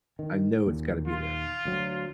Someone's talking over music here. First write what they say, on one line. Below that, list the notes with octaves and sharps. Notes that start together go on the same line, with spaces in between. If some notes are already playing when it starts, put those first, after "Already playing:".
I know it's gotta be there.
D#3
D#2 A#2
F4
D2 F#3